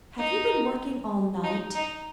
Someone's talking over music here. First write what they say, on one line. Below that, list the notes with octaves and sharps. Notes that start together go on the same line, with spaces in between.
Have you been working all night?
D#4
D#4
D#4